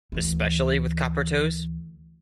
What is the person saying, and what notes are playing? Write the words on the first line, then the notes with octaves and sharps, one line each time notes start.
Especially with copper toes?
D2 E3